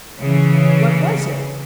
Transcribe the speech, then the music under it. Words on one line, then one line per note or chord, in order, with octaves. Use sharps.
What was it?
C#3 E3